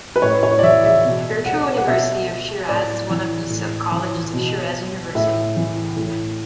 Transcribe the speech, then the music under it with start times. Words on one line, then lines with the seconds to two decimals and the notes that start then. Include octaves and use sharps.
Virtual University of Shiraz is one of the sub colleges of Shiraz University.
0.16 B4
0.22 A2 C#5
0.43 C#5
0.59 D5
0.63 E3 E5
0.85 E5
1.05 B2
1.46 F#5
1.77 F#5
1.87 B2 E5
2.69 A2 D5
3.10 E3
3.50 A2
3.92 E3
4.34 B2
5.15 A2 E5
5.57 E3
5.96 A2